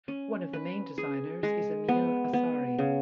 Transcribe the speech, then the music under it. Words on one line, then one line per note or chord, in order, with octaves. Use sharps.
One of the main designers is Emile Asari.
C#4
B4
G#4
G#3
B3
B3
C#3